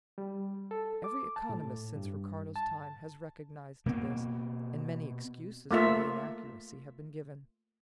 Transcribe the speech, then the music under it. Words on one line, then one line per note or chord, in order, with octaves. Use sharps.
Every economist since Ricardo's time has recognized this, and many excuses for the inaccuracy have been given.
G3
A4
D6
A5
A2
G2
A5
B2 A#3 C4
A3 A#3 F4 E5